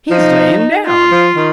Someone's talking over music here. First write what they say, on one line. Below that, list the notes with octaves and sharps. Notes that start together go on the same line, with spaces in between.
"He's layin' down!"
F3 D#4
F4
F3
D#3